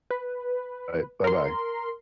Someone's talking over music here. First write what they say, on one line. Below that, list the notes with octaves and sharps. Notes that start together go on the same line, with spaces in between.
Alright, bye-bye.
B4
A#4 C6